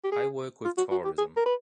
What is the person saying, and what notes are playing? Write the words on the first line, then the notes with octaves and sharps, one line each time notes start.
I work with tourism.
G4
G#4
F4
F#4
F#4
G4
G#4
A#4
B4